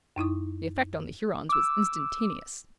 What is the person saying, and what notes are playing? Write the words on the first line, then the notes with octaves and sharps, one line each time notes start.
The effect on the Hurons was instantaneous.
F#2 D#4 E4 D#6
D6 E6